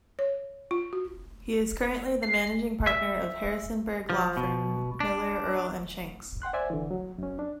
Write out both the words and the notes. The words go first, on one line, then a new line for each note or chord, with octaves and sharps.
He is currently the managing partner of Harrisonburg law firm Miller, Earle and Shanks.
C#5
F4
F#4
C7
E5
F3
B2
D4
F#5 G5 C6 F#6
C5 D5 E5 G#5
D3 E3
F#3
F#2 C#4
D4